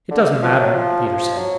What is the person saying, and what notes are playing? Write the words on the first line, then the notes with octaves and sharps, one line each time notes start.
"It doesn't matter," Peter said.
D3
F3
F#3
F3
F3
F#3